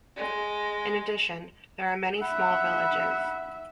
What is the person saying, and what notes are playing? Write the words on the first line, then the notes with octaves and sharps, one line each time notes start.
In addition, there are many small villages.
G#3
E5 F#5 B5